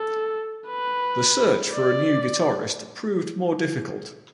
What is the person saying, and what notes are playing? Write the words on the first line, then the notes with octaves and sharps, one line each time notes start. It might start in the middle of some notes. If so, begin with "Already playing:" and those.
The search for a new guitarist proved more difficult.
Already playing: A4
B4
D5